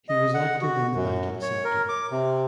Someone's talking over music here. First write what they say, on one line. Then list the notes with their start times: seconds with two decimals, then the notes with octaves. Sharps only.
He was active in the banking sector.
0.09 D#5
0.34 F#5
0.61 F#4
0.95 F#2
1.42 C#5
1.65 A#4
1.89 D6
2.11 C3